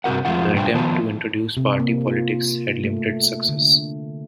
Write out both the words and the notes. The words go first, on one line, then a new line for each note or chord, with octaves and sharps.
The attempt to introduce party politics had limited success.
G2 C3 F#4 A#4 F#5
F2 D#3 F3 G#3 F4 F#5
G#2 B2 G3 D4 C5 G5
D#3 F3 B3 F4 C5 A5
C3
A#3
F4
A3
D3